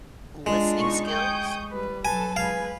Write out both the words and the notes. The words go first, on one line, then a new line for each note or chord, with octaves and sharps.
listening skills,
G#3 D4 F4
B2 D#4 C#6
G5 G#5 C#6 D#6 G6
G3 B4
F#3 A4 B4 G#5 A5
G#3 B4 F5 G#5